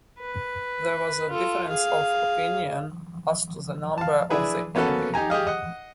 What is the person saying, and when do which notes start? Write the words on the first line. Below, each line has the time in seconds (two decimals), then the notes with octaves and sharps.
There was a difference of opinion as to the number of the enemy.
0.20 B4
1.30 F4 A4
1.69 G#4 F5
3.98 F5 A5
4.30 D4 E4 G#4 B4
4.75 A#3 B3 C#4 F#4 A4 B4
5.14 D#4 G4 G#5 A#5
5.30 G4 G#4 D#5 F5
5.47 D#5 F#5